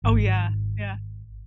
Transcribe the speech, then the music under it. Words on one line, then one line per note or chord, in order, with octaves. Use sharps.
Oh yeah, yeah.
G#1